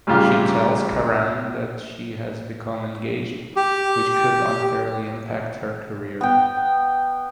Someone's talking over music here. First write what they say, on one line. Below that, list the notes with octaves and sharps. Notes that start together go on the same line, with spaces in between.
She tells Karan that she has become engaged which could unfairly impact her career.
A1 G2 C#3 F4 G4 F6
G4
B3 G5